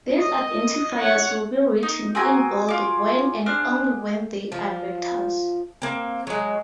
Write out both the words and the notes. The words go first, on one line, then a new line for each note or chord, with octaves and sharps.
These identifiers will be written in bold when and only when they are vectors.
D#5
C#5 F#5
D#4
C4 F#4 G#4 G5 G#5 A#5
F4 D6
D4 C5 F6
F3
A#3 C4
F#3 G#3